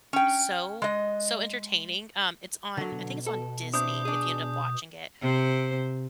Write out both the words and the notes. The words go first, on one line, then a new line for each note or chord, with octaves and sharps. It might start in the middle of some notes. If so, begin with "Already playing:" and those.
so, so entertaining. Um, it's on I think it's on Disney if you end up watching it,
C#4 G5
G#3 D#5
D3 F#3 A#3
B2
A4
C4 D4 E4 D#6 G6
D4 G#4
C3 C5